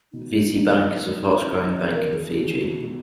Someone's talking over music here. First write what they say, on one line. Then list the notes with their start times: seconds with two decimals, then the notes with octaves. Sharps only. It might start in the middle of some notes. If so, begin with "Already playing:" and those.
Viti Bank is a fast growing bank in Fiji.
0.13 B2 D#4
0.58 B2
1.02 F#3
1.47 C#4
1.69 D#5
1.77 C#5
1.85 B4
1.91 B2 A#4
2.13 G#4
2.36 B2 F#4
2.48 G#4
2.58 F#4
2.80 B2 D#4